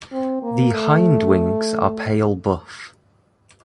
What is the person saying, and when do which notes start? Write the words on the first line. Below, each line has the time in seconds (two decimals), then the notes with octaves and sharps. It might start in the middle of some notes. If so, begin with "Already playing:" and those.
The hindwings are pale buff.
0.13 C4
0.43 A#3
0.73 A3